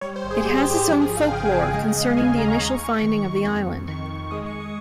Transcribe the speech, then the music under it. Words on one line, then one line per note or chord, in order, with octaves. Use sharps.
It has its own folklore, concerning the initial finding of the island.
G3 C#5
C5
G#1
G#4
G3 G4
G4
G#1 G#4
G#4
F3 G#4
G#4
F3
F5
C#3 G5
G#5
C#3
G5
G#3 D#5
D#5
D#2
F5
D#2 G#5
G#5
D#2 A#5
C#6
D#2 D#6
C#6
D#2
D#3
D#3
F2
F2
D#3 C#6
D#3
G#3 D#6
C#6
G#3
D#6